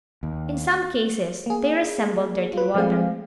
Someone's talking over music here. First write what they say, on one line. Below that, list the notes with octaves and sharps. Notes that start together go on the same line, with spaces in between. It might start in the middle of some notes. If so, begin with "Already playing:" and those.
In some cases they resemble dirty water.
D#2
A#3 G#4
F4 B4
F3 G#3 A3 C4 G#4 F5